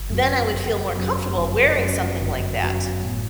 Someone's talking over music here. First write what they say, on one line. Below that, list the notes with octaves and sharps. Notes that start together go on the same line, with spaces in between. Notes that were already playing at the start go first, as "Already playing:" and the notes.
then I would feel more comfortable wearing something like that.
Already playing: G1
F#2 F#3 B3 F#4
G1
F#2 F#3 B3 F#4
G1
F#2 F#3 B3 F#4
G1
F#2 F#3 B3 F#4
A2